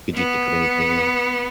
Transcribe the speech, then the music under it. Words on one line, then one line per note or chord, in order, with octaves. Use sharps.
could you think of anything else?
B3